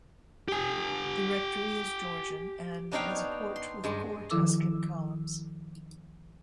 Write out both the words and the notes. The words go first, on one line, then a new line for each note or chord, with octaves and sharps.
The rectory is Georgian and has a porch with four Tuscan columns.
G4 G#5
B3 D4 D#4 C#5 F5 G5
C6
G2 G#3
D#3 F3 E4 A4 D6 E6